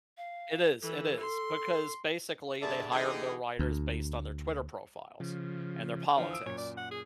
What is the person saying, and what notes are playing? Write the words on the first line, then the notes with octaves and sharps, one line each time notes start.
It is, it is, because basically, they hired their writers based on their Twitter profiles, and their politics,
F5
E3 A4
C6
G2 D3 G#4 D5 E5 A5
D3 E3 D#4 G4 G#4
D2
C#3 F3
D3 E3 F3
D#6 E6 D7
F#2 A#2 C#5
D5
F#5
G#4